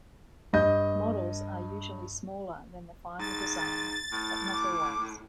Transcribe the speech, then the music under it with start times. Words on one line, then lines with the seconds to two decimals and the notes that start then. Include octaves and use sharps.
Models are usually smaller than the final design, but not always.
0.53 G2 D#5 G6
3.19 G#2 A6
4.12 A2
4.53 D6